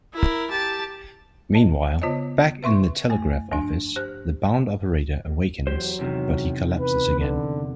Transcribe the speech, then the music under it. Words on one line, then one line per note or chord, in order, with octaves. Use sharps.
Meanwhile, back in the telegraph office, the bound operator awakens, but he collapses again.
E4 A#4
G4 A5
D#5 A5
C#3 B3 F4 C5 C#5 D#5
B4 E5 C6 C#6
F#2 A3 G#5
G2 F3 D4
G4 C5 F#6
E2 F#3 G4 C5
E2 C3 D#3
B4
D3